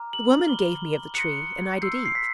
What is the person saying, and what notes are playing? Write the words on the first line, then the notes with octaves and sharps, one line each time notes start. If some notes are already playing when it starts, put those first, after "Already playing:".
'The woman gave me of the tree, and I did eat....'
Already playing: A#5 D6 F6
F#7
B5 D6 F6 G7
C6 D#6 F#6 C#7
C6 E6 G6 C7
C7
B6